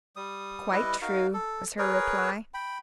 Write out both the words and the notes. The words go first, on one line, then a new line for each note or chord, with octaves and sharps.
"Quite true," was her reply.
G3 D#6
G3 E4 B4 D#5
D#4 F#4 A#4 F5
A4
G#4 A#4 B4 C#5
G5 B5